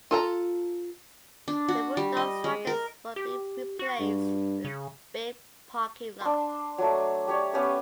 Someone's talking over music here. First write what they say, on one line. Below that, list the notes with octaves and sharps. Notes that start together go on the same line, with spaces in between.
The Rudolph structures would be replaced with a big parking lot.
F4 A4 A#5
D4
F#4
G3
D#5
G#3
A#4
G4
F#4
G2
C#3
D4 C6
F#3 A3
G4 C#5 D5
B3 C#4 G4 B4